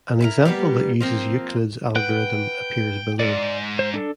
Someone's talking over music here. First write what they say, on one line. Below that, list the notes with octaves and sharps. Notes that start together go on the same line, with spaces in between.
An example that uses Euclid's algorithm appears below.
E4 F#4 A#4
G3 A#3 B3 G4
F3 A#3 C4
B4 F#5 G5 F#6
G#2 D5
C5
D4 A4